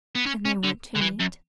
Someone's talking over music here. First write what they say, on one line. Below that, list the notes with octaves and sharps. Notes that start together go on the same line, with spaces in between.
And they went to meat.
B3
C#4
C#4
D3
D3
E3
F#2